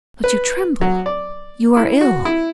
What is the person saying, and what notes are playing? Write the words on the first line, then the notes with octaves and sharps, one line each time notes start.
But you tremble--you are ill!
B4
F#3
D5
E4
F#4
E4